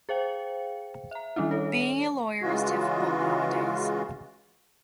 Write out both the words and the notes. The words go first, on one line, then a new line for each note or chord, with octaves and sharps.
Being a layer is difficult nowadays.
G#4 C5 F5 G5 C#7
E5 A#5
D#3 G3 C#4 D4 E4
A4 C#5
C#3 E3 G#3 F4 F#4